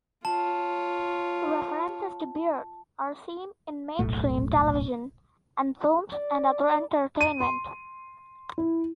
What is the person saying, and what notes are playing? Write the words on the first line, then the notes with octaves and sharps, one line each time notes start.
References to beards are seen in mainstream television and films, and other entertainment.
F4 C#5 A5
D#1 B1 A2 A3
D5
D#7
C6
E4